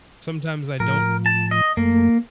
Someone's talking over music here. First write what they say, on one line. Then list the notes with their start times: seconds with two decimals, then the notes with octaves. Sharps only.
Sometimes I don't
0.80 A2 F3 A#4
1.26 A5
1.51 D#5
1.77 F#2 A3 A#3